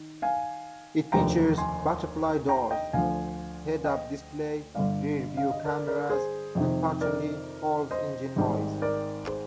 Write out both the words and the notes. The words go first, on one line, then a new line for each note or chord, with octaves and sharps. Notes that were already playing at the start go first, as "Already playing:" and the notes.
It features butterfly doors, head-up display, rear-view cameras and partially false engine noise.
Already playing: D#3
F5 G#5
F1 D#2 D3 F3 G5 A#5
G#5 C6
G5 A#5
D#5 G5
D2 D3 F3 F5 G#5
D#5 G5
G1 G2 D3 D5 F5
F5
D#5
A#4 D5
A#4 D5
G#4 C5
F2 C3 D#3
A#4 D5
C5 D#5
G#1 G#2 D#3 G3
A#4 D5
G#4 C5